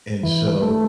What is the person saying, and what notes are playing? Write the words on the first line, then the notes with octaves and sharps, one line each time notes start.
and so
E3
A3